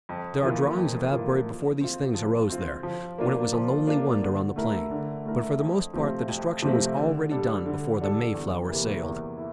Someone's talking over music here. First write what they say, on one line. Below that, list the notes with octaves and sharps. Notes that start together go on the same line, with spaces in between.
There are drawings of Avebury before these things arose there, when it was a lonely wonder on the plain, but for the most part the destruction was already done before the MAYFLOWER sailed.
F2
E3 A#3 F4
F2
E3 A#3 F4
F3
C4 F4
F3
C4 F4
F3
A#3 D4 F4
F3
A#3 D4 F4
D3
A3 E4 A#4
D3
A3 E4 A#4
F2
C3 F3 A3 C4
F2
C3 F3 A3 C4
D3
G3 D4 A4
D3
G3 D4 A4
E2
C3 E3 A#3 E4
E2
E4